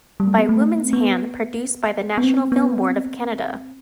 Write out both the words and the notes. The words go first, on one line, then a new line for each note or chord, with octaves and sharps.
"By Woman's Hand", produced by the National Film Board of Canada.
G3
B3
A3
B3
C4
B3
B3
C4
B3
C4